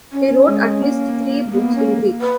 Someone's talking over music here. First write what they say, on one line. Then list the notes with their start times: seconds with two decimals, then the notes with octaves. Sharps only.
He wrote at least three books in Greek.
0.12 C#4
0.47 G#3
0.82 A#3
1.52 A#3 B3
1.75 C#4
2.21 B4